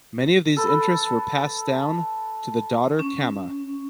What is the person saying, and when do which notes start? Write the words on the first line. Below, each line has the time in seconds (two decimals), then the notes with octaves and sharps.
Many of these interests were passed down to the daughter Kamma.
0.57 A4 B4
2.99 C#4